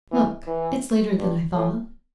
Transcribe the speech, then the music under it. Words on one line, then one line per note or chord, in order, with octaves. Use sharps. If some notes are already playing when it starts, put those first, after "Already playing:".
'Look! it's later than I thought.
E3
E3
G2
A2